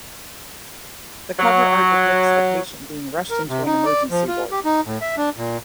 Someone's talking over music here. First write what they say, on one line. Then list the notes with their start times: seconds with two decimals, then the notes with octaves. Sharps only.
The cover-art depicts a patient being rushed into an emergency ward.
1.39 F#3
3.30 A#4
3.49 C3
3.66 D#4
3.85 D5
4.11 F3
4.28 F4
4.51 G4
4.65 D#4
4.86 A2
5.01 E5
5.17 D4
5.37 A#2